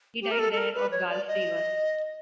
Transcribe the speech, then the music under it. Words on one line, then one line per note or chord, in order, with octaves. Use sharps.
He died there of gall fever.
G4
A#4
A4
A4
A#4
B4
C#5
D5
D#5